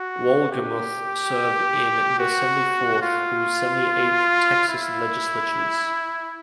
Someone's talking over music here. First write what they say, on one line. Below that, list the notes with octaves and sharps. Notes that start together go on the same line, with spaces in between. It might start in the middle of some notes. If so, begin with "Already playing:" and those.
Wohlgemuth served in the Seventy-fourth through Seventy-eighth Texas Legislatures.
Already playing: F#4
G4
F#4
F4
E4